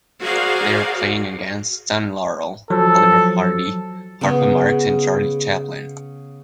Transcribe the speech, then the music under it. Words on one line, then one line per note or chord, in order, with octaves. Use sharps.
They are playing against Stan Laurel, Oliver Hardy, Harpo Marx, and Charlie Chaplin.
F#4 G#4 A#4 C5 D5 F5
F3 F#3 A4
C#3 B3 G#4